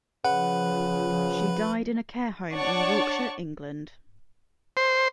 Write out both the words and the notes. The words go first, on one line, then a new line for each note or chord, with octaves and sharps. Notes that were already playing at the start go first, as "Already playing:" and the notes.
She died in a care home in Yorkshire, England.
C#3 F3 B4 F#5 B5
D4 C#5 D5 F#5 A5 C#6
C5